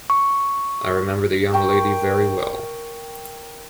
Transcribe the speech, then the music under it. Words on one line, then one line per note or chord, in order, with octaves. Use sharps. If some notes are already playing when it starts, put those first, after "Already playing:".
I remember the young lady very well.
C#6
A#4 G5 C#6